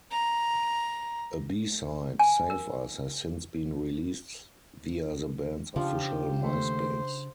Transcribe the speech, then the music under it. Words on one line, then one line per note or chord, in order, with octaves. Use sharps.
A B-side, "Save Us", has since been released via the band's official Myspace.
A#5
G#5
A#4
C#3 F3 D4 G4
D#2 A3 C5